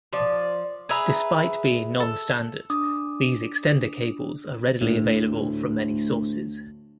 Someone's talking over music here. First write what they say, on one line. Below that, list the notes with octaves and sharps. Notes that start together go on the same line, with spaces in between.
Despite being nonstandard, these extender cables are readily available from many sources.
F3 D5
G#4 B4 E5 A#5
A4
D4 D6 D#6
D2 A2